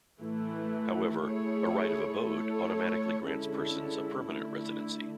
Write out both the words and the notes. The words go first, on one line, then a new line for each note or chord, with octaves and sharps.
However, a right of abode automatically grants persons a permanent residency.
A2 E3 A3 E4
A3 E4 G#4 C#5
A3 E4 A4 C#5
D3 G#3 C#4 E4 A4
D3 A3 E4